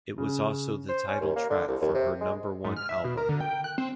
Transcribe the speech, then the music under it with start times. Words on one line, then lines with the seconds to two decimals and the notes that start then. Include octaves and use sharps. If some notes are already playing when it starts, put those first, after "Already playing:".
It was also the title track for her number one album.
0.18 C#3
0.89 C5
1.08 C#4
1.21 D#2
1.36 A#3
1.50 D3
1.68 C2
1.82 D#2
1.95 C3
2.21 G#3
2.64 G#2
2.77 F6
2.89 E5
3.04 B2
3.17 A#4
3.29 D3
3.40 G5
3.64 F#6
3.78 C4